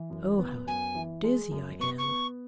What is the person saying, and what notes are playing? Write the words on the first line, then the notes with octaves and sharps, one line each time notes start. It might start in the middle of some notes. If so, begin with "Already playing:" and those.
Oh, how dizzy I am!
Already playing: E3
F#2
B3
F#2 G#5
E3
G#3
F#2
B3 C#6
C#6
B3